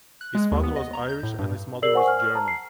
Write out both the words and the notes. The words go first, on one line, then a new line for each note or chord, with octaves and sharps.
His father was Irish and his mother was German.
F#6
G#3
D#2
B3
D#5
A#5
G6
A2
G2
G#4 A#4 D5 E6 C7 F#7
C5 F#5 G#5 C#6
F6
F6
A5 A#5
C7